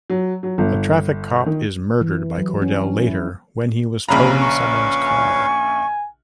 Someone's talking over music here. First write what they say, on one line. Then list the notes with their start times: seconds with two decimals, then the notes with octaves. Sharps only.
A traffic cop is murdered by Cordell later when he was towing someone's car.
0.10 F#3
0.43 F#3
0.58 G1
1.46 D#3
2.01 E3
2.38 F#3
2.62 C#4
3.02 E4
4.09 A#1 C#3 C#4 B4 F5 A#5 B5
4.40 C#6
5.07 G#5